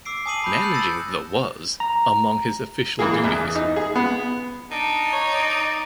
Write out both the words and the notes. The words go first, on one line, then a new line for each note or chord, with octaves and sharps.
Managing the was among his official duties.
D6 E6 C7 D7
G#5 A5 D#6 C7 D#7 F#7
B5 G6
E6 F#6 G6 A6 C#7 F#7
D#6 E6 A6 A#6 C#7 E7
A#5
E3 A#3 G#4
E2
D#4
G#4
B3
D4 D#4
C#5
D5